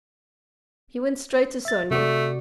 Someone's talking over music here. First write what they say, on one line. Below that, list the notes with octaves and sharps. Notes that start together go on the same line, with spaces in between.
He went straight to Sonia.
E5 A6
C3 A3 F#4 D5